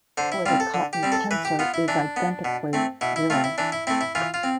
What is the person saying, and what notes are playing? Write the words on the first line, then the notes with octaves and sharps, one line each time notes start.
For the Cotton tensor is identically zero.
D3 C5
E4
G3 C4 F4
A4
D3
G4
G3 C4
A4
E3 B4
G4
B3 F4
E4
E3 D4
B3
B2
A3 C4
B2 E4
E4
A3 C4 F4
E4
E3 D4
E4
A3 C4 E4
E4
E3 F4
F4
C4